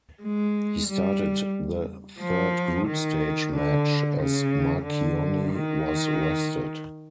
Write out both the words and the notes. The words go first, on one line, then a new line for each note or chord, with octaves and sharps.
He started the third group stage match, as Marchionni was rested.
G#3
G3
F3
D#3
D3
C#3
D3
D#3